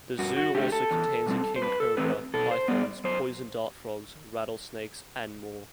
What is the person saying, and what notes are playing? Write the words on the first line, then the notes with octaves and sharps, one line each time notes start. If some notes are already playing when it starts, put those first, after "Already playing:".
The zoo also contains a king cobra, pythons, poison dart frogs, rattlesnakes, and more.
G2 F#4
F#4
D3 A3 G4
A4
E2
B2 G3 C4
C5
G2 B4
A4
E3 A3 C4 B4
B2 A4
C5
G3 B3 D5
F#2 C5